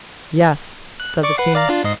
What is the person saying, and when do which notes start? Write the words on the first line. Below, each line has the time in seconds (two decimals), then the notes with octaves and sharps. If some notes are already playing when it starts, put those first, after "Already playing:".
"Yes," said the King.
1.00 F#6
1.23 D5 C#6 D6
1.37 B4 F#5 C7
1.55 D5 F5 A#5
1.69 D4 F4
1.84 G#2 D#5 C7